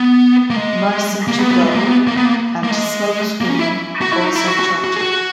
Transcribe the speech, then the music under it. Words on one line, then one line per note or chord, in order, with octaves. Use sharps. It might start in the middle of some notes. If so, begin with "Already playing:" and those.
"Mercy to Go" and "Smokescreen" also charted.
Already playing: B3
A#3
G#3
A#3
B3
B3
G#3
A#3
B3
A#3
B3
A#3
A#3
G#3
A#3
C#4
E4
F#4
E4
D#4
E4
F#4
F#4
F#4
G#4
F#4